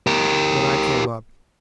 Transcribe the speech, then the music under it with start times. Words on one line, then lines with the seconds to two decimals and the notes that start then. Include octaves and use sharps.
Then I came up.
0.07 G4 A#4